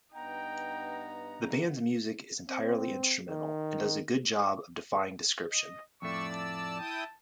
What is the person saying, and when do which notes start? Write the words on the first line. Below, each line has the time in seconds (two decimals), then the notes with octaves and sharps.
The band's music is entirely instrumental and "does a good job of defying description".
0.15 G2 B3 D#4 F#5 G5 A#5
2.49 C4
3.30 D#3
5.52 D#5
6.02 F2 A2 A3 D5 C#6 E6
6.32 A5
6.79 E4 G5 D#6